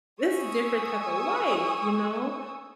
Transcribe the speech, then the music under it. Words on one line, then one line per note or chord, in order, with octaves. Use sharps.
this is different type of life, you know."
G#5 C#6 D#6 E6